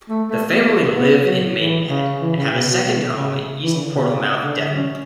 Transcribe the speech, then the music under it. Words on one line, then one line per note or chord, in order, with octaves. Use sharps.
The family live in Maidenhead, and have a second home in East Portlemouth, Devon.
A3
A3
B3
B3
F#3
E3
C#3
E3
C#3
B2
B2
B2
C#3
E3
C#3
D3
B2
C#3
D3
C#4